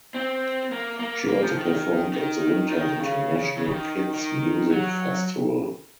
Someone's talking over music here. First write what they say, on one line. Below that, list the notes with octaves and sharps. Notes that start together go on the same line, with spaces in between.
She also performed at the Winter International Kids Music Festival.
C4
A#3
A#3
A#3
F3
D#3
D#3
D#3
C#3
C#3
D#3
D#3
F#3